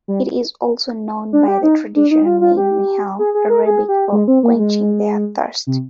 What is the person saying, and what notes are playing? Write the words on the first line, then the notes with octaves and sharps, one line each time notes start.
It is also known by the traditional named "Nihal", Arabic for "quenching their thirst".
G3
D4
G4
D#4
D4
D#4
F4
F4
G4
G#4
G#4
A#4
G#4
G4
G#3
C4
A#3
G#3
C3